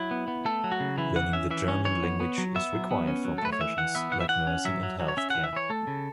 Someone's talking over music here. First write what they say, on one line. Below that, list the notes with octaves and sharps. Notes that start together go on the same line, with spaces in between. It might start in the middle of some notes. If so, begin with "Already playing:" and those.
Learning the German language is required for professions like nursing and healthcare.
Already playing: F#3 E4
B3
B3
A3 A4
F#3
F#4
C#3
E3 E4
E3 F#5
C#4 E5
E3 E5
C#4 C#5
E3 C#5
B3
B3
F#3
B3 E5
F#3
B3
C#4
F#3
A4
A3 B4
C#5
E3 E5
E3 F#5
B3 E5
E3 F#5
E5
E3 F#5
C#4
F#3 E5
F#3
F#3
C#5
C#4 E5
E3 F#5
E5
E3 C#5
A3 A4
C#3